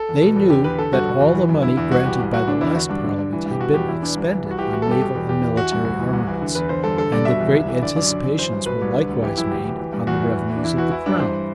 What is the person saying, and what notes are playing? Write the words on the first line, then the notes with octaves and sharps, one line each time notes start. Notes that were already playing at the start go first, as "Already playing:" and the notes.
They knew that all the money granted by the last parliament had been expended on naval and military armaments; and that great anticipations were likewise made on the revenues of the crown.
Already playing: A4
E2
B2
E2
D3 G4
E2 B4
D3 A4
G2 F#4
B2
E2
E3
F#2
D3 E4
E2 E4
C2 F#4
E3 G4
C2
E3 F#4
D3 D4
E2 E4
D3 F#4
G2 D4
D3
G2
E3
G2
G4
B2 F#4
E2 G4
E2 E4
E3 D4
C2
E3
C2
F#4
E3 G4
E3 F#4
A4
G2 G4
B2
E2
E2 G4
E3
E3 F#4
G2
D2 F#4
E3
C2
E3
D3
E2 B4
D3 C5
G2 A4
D3 A4
G2 D5
B2 E5
E2
C2
E3
D3 D5
F#2 D5
D3
F#2
E3 C5
G2
B2 B4
C2
D3
D2
E3 G4
F#2 E4
D2 G4
E3
E3
G2
E2 F#4
E3
E2
E3
D4
E2 E4
E3 F#4
E3 E4
G2 D4
E3 C5